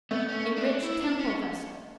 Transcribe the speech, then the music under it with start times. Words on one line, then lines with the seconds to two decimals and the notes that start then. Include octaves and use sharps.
A rich temple vessel.
0.11 A3 B3
0.29 C#4
0.56 D4
0.82 E4
1.01 D4
1.19 C#4